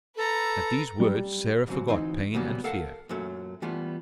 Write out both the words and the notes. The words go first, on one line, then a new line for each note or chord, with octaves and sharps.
At these words Sarah forgot pain and fear.
A4 B4 A#5
G3
D2 G#2 F#3 C4
D2 E3 C4 D#4
C#3 F#3 G3 A#3 B3
A4 A#4 F5 F#5 A5
F#2 A#2 F#3 A3
E3 G3 A3 B3 F4